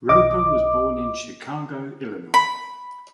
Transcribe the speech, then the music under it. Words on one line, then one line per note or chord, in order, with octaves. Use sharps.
Roeper was born in Chicago, Illinois.
B1 D#5 D6
B5